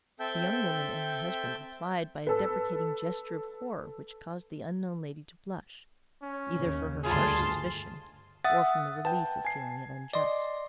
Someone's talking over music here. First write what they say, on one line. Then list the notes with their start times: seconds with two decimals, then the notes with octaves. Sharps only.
The young woman and her husband replied by a deprecating gesture of horror which caused the unknown lady to blush, either for her harsh suspicion or from the relief of feeling it unjust.
0.20 C4 A4 E5 G5 A5 G6
2.27 A4 B4
6.22 C#4
6.57 D#2 C#3
7.04 D2 G2 F4 G#4 A5 C6
8.44 E5 F#5 D#6 A6
9.05 B4 G5 A5
9.45 G#5 C7
10.13 D5 D#5 C6